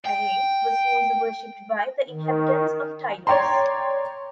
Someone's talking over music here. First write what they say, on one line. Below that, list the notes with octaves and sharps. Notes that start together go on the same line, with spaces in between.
Ares was also worshipped by the inhabitants of Tylos.
G5
D#3
C#5 D5 G5 A#5 C6